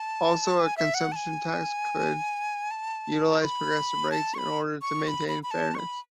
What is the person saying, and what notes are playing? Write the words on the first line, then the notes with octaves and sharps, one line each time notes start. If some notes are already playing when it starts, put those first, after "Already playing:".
Also, a consumption tax could utilize progressive rates in order to maintain fairness.
Already playing: A5
G#5
E5
F#5
A5
G#5
A5
C#6
B5
A5
C#6
B5
C#6
C#6
B5
B5
B5
A5
C#6
B5